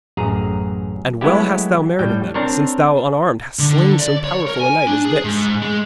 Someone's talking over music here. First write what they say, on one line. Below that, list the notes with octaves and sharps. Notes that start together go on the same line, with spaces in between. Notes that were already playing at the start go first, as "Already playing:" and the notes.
And well hast thou merited them, since thou unarmed hast slain so powerful a knight as this.'
A1 F#2 G#4 A#5
F#3 G#3 A3 B3 E4 G4
A2 G3 G5
C4 D4 A#4 C5 C#5
D3
D5
C#5
A#4
G#5
D4
G#4
G#2
G#3